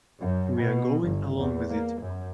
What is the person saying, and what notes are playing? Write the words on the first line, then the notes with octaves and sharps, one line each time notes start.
We are going along with it.
F#2
B2
G1
E2
A#3
F#2